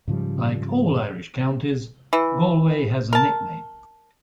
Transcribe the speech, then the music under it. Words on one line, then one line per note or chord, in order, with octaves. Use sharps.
Like all Irish counties Galway has a nickname.
G#2 C#3 F3 G3
E3
A#4 A5